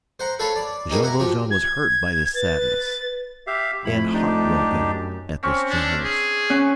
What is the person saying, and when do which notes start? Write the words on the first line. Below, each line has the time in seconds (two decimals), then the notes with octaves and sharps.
Jean Valjean was hurt by this sadness, and heart-broken at this gentleness.
0.20 C5 F#5 A#5
0.39 A4 B4 C#5 F5 A5 B5
0.56 D5
0.90 C#4 D#4 G4 G#4 A#4 B4
1.03 E4 F#5 A#5
1.20 F3 F#4 G4
1.51 G#6
2.35 B4 A6
3.47 G4 E5 F5
3.85 F2 A3 E4 B5
4.14 D4 D#4 G4
4.68 F#2
5.43 C4 C#4 C#6
5.70 D4
6.04 G#4
6.50 C#4 F#5